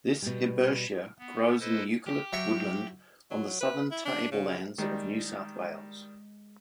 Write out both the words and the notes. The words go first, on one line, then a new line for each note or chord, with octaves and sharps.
This hibbertia grows in eucalypt woodland on the Southern Tablelands of New South Wales.
B2 G3
B3
E4 A4 B4 C5 D#5
G4
F#3 E5 C#6
F#3
B4
E4
D4
C#3
D#3 G3 G#3